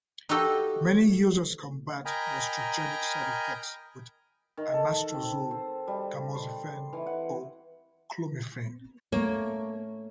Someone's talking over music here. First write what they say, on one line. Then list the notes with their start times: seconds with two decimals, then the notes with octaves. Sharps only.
Many users combat the estrogenic side effects with anastrozole, tamoxifen or clomifene.
0.29 D#4 F#4 G4 A4 D#5
2.05 A#4 D#5 G5 G#5 A#5 B5
4.57 D#3
4.74 A4
5.14 C4
5.51 C5
5.88 G3
6.36 C6
6.93 E3
7.06 F#5
9.12 A3 A#3 C#5